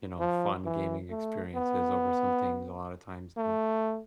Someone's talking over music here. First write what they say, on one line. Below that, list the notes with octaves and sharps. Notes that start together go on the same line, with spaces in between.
you know, fun gaming experiences over some things a lotta times now,
F3
E3
A3
B3
A3